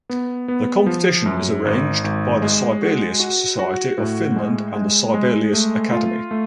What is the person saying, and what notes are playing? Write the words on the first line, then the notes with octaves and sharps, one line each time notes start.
The competition is arranged by the Sibelius Society of Finland and the Sibelius Academy.
B3
B3
F3
F#2
G#1
G#1
G#3
F#4
F#4
F#4
A2
G#3
G#3
G#3
A3
F4
A3